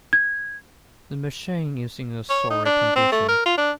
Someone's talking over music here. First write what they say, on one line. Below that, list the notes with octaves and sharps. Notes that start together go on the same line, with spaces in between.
The machine is in a sorry condition.
G#6
C#5
D#4
D4
C4
A3
A#4
F4
D4